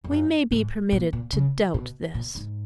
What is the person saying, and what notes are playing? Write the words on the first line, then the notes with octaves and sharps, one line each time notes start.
We may be permitted to doubt this.
F2
F#2
G#2
A#2
A#2
C#3
B2
A#2
G#2